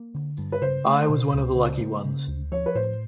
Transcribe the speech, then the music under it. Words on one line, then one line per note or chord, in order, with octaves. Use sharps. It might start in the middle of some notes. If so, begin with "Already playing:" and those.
I was one of the lucky ones.
Already playing: A#3
D3
G2
B4
C#3 C5
A3
B2
C#2
C#3
A#3
C#3
D2
F3 C#5
B4
A2 C5